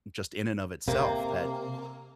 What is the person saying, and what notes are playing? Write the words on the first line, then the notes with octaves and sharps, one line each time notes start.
just in and of itself, that,
C3 A#3